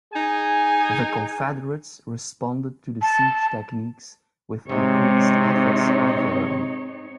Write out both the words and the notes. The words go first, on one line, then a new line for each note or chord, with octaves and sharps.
The Confederates responded to the siege techniques with increased efforts of their own.
D#4 G#4 G#5
A5
G#2 C3 G#3 C4 D#4 C#5